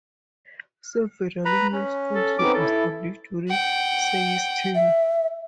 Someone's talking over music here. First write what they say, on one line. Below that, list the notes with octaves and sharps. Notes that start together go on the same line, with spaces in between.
Several new schools were established during Seay's term.
B4 A#5 B5
C#4
A4
B3 C4 D#4 D6
E4 A4
F#5 G5
E5